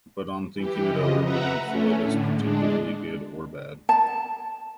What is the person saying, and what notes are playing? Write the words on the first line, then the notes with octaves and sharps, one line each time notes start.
But on thinking it over, we don't feel it is particularly good or bad.
E3 G4
C#3 F3 D#5
B4 E5 F#5 A#5
A3 C#4
A2 D3
G#3 D4
A5